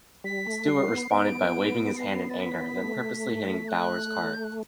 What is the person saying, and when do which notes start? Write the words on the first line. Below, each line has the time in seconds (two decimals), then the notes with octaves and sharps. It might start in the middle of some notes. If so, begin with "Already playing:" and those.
Stewart responded by waving his hand in anger, then purposely hitting Bowyer's car.
0.24 G3 B6
0.46 A3
0.68 G3 C7
0.89 B3
1.11 B3 D7
1.97 C7
2.29 A6
2.40 B6
2.82 A3
3.68 F#6
4.34 G6
4.44 F#6